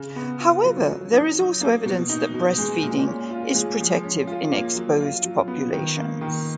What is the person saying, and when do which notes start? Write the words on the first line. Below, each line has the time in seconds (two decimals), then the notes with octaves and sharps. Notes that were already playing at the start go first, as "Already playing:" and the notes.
However, there is also evidence that breastfeeding is protective in exposed populations.
Already playing: C#3
0.16 B3
0.40 F4
0.64 F#3
0.89 F#3
1.13 D#4
1.38 F#3
1.61 A#3
1.86 B2
2.09 D#4
2.34 B2
2.58 G#3
2.82 A#2
3.06 C#4
3.31 F4
3.54 G#3
3.80 F3
4.03 C#4
4.27 F4
4.52 A#3
4.76 F#3
5.01 F4
5.24 F#3
5.48 B3
5.72 D#3
5.97 A#3
6.21 D#3